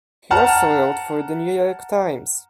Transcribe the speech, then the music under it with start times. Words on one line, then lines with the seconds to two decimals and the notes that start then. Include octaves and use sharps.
He also wrote for "The New York Times".
0.31 F#5 A5 A#5 F6